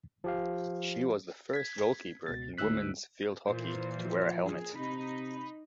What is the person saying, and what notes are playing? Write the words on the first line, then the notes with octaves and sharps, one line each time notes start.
She was the first goalkeeper in women's field hockey to wear a helmet.
F3 G4 F5
G#6 B6
C#2 B2 A6
D2 G#2 E6 F#6 B6
A#2 E3 C5
F3
G#4
C3 D#4 B5